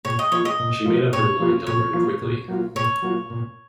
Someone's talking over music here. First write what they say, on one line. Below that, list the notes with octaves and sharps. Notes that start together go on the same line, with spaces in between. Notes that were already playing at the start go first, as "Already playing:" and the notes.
She made up her mind to learn quickly.
A#2 C#5
D#5
F3 A#3 F4 C#5
D#5
A#2
F3 A#3 F4
A#2 C#5
F3 A#3 F4
A#2 C#5
F3 A#3 F4
A#2
F#3 A#3 F4
A#2 C#5
F#3 A#3 F4
A#2